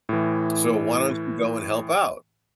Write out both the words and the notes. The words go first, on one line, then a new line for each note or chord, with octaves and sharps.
so, why don't you go and help out?"
A2 E3